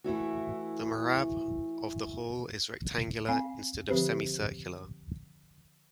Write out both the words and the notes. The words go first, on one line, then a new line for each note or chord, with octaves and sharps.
The mehrab of the hall is rectangular instead of semi-circular.
E3 A3 E4 F#4
C4 F5 G#5
D3 F3 C4 G4 B4 C5